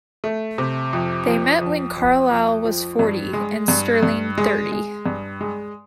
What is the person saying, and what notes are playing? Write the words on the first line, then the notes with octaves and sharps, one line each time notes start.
They met when Carlyle was forty, and Sterling thirty.
A3
C3
F2
F3
F2
F2
F2
F3
G2
G#3
G2
G2
G#3
G#3
G2
G#3